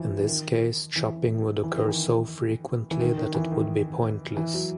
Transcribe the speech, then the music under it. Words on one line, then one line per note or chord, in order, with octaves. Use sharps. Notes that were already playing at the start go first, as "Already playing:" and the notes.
In this case, chopping would occur so frequently that it would be pointless.
Already playing: E3 F3
E3
D#3
E3
E3
D#3
E3
E3
D#3
D#3
E3
D#3
E3
F#3